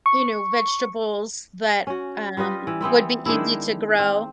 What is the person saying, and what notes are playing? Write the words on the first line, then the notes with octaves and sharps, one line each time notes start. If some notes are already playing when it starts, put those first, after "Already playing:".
you know, vegetables that, um, would be easy to grow,
C#6
C#4 F#4
G3 F4 B4 D#5
E3
E3 B3 C4 E4
D#3 G#3 D4 E4
C4